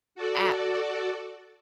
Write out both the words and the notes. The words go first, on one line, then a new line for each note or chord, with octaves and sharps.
at n
F#4 A4 D5